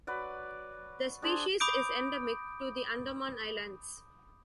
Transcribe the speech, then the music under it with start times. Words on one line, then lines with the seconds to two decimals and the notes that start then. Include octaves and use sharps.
The species is endemic to the Andaman Islands.
0.07 F#3 B4 D5
1.22 D4 G#4 C5
1.60 B5 D6 D#6 G6 D7